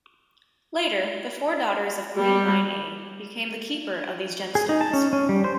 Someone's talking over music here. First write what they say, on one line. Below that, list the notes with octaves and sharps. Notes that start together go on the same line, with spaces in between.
Later, the four daughters of Queen Mine-a became the keeper of these gemstones.
G3
G#4
D#4
A5
C#4
C#4
G3
C5